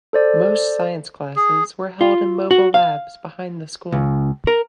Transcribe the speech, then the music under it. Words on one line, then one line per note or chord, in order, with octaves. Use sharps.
Most science classes were held in mobile labs behind the school.
A4 C5 D5
G#4
F4
F#4
F5
C#2
A#4